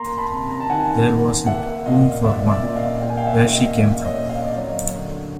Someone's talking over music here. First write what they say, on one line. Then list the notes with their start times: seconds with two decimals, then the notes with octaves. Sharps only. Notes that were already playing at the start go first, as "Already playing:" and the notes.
There wasn’t room for one where she came from.
Already playing: A#3 A#5 C6
0.18 A5 B5
0.31 C3
0.50 A#5
0.60 A5
0.69 D#3 F#5 G#5
1.09 A#3
1.46 A#3 E5 F#5
1.86 A#2 D#5 F5
2.24 A#2 D5 E5
2.50 D5 E5
2.62 A#2
2.76 D#5 F5
3.01 A#3 G5
3.10 G#5
3.17 F5 G5
3.27 E5 F#5
3.40 A#2
3.53 D#5 F5
3.78 A#2 D5 E5
4.04 C#5 D#5
4.17 A#3
4.29 D#5 F5
4.45 D5
4.55 F#3 C#5 D#5
4.95 D3